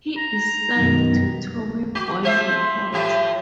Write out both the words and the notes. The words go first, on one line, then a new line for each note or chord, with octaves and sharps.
He is signed to Tommy Boy Records.
A#5
F#2 B2 D#3
F#4
F3 C5 E5
A2 F3 G4